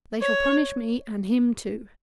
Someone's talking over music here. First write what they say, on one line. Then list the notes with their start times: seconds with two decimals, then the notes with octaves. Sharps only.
They shall punish me and him too.
0.22 C#5